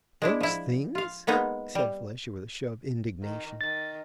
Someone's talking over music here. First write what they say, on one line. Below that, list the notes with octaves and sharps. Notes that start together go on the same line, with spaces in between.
"Those things!" said Felicia with a show of indignation.
G#3 D4 E4
F3 E4
F4 F5
G#3 A#3 B3 D#4
G3
D#3
D#3 A6